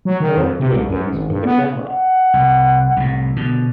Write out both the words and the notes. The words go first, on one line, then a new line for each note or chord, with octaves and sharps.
I like doing things with the camera.
F#3
D#3
F2
C3
C2
F#2
G#1
G2
B3
F#5
C2
C2 A2
B2 D3